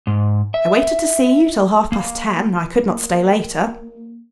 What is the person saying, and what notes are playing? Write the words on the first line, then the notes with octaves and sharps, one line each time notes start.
I waited to see you till half-past ten, I could not stay later.
G#2
E5
A#3
A#3